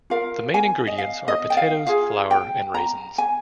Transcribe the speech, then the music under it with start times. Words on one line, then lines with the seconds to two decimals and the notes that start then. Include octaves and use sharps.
The main ingredients are potatoes, flour and raisins.
0.10 F4 A#4 F5
0.54 G#5
0.87 D#5
0.98 F5
1.28 D#5
1.50 G5
1.57 F5
1.86 F4 G#4 F5
2.31 G5
2.74 A#5
3.18 G#5